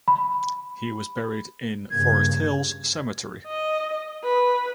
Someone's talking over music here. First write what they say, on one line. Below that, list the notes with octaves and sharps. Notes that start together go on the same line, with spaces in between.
He was buried in Forest Hills Cemetery.
B5
G2 C#3 A#3 G#6
D#5
B4